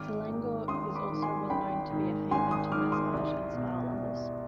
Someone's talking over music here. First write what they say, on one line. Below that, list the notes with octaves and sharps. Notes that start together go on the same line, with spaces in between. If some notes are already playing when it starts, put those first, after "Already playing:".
Selangor is also well known to be a haven to massage and spa lovers.
Already playing: G#1 D6 F6
G#2 D#3
G#1 C6 D#6
B5 D6
G#2 D#3
G#5 C6
G#1 G5 B5
G#2 D#3
G#1 G#5 C6
C6 D#6
G#2 D#3 D6 F6
C6 D#6
C2
B2
C2